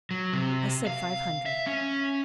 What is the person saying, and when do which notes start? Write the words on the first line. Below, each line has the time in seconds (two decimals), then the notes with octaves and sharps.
"I said five hundred."
0.11 F#3
0.33 C3
0.86 F5
1.46 E5
1.67 C#4